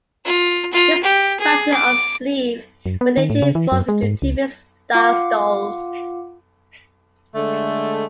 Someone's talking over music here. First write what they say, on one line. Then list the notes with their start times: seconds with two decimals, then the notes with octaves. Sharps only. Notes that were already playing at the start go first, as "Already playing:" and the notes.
This fashion of sleeve would later evolve into Tippet-style stoles.
0.25 F4
0.72 F4
1.03 G4
1.39 G#4
1.73 D6
2.86 F#2
3.01 B3
3.17 D#3
3.30 A2
3.42 C#3
3.55 E3
3.72 F#2
3.89 G#3
4.03 G#2
4.22 C#2
4.95 F4 F5 F#5 D6
7.34 D3 G#3 A3